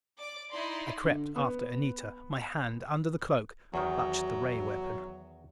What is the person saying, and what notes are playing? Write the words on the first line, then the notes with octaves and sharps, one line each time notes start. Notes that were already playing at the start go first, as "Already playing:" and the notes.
I crept after Anita; my hand under the cloak clutched the ray weapon.
D5 D6
D#4 E4 D5 C6
D3
B3
E2 D#3 F#3